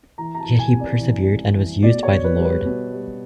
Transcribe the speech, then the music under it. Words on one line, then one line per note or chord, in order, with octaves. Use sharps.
Yet he persevered and was used by the Lord.
E3 A#5
A#5
A5
E3
G#5
C3
D5
E3
C3
E3
B2 D5
C#5
B2
B4
G3
B4
B2
G3